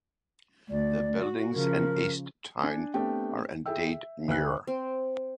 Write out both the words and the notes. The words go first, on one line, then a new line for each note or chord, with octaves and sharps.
The buildings in East Town are indeed newer.
D2 D5
F#4
C#3 F3 A#4
D4 G#5
A3 B3 C4 D4 G4 G5
E4 G#4 A4 E5 G5 E6
E5
D2 B4 F#5 F#6
C4